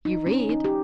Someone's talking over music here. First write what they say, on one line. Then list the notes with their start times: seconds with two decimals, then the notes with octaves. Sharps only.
"You read."
0.05 D#4
0.27 C#4
0.49 D#4
0.64 G4